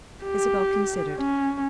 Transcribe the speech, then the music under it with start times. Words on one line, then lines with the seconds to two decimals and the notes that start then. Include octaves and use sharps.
Isabel considered.
0.24 G4
1.16 C#4